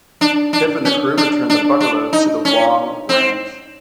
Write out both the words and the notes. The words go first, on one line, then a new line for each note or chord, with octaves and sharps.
Kif and the crew return the buggalo to the Wong Ranch.
D4
D4
C#4
D4
D4
D4
D#4
C#4
C4